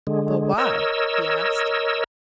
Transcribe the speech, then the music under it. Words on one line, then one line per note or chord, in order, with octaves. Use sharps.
"But why?" he asked.
D3 G#3
A#4 C#5 D#5 E6